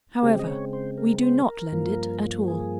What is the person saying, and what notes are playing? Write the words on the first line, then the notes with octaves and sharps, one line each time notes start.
However, we do not lend it at all.
C#3 G#3 C4 G4
D#5
C#5
C5
A#4
C5
A#4
G2 F3 A#3
G#4